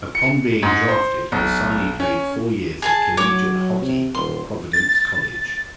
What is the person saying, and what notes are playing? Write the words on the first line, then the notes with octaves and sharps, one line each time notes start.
Upon being drafted, Pisani played four years of collegiate hockey for Providence College.
C#7
G#2
C5
B1
C#4
G#4 G#5 A5
F#3 C#5 D6
C3
D#1 C6
A6